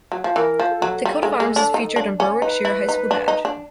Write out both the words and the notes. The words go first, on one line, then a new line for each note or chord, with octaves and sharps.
The coat of arms is featured on Berwickshire High School badge.
F#3
F3
E3 A#4
F3
A4
F#3
G3 A4
G#3
G#3
D4
D#4
D4
C#4
D#4 B4
E4
D#4
D4
D#4
D4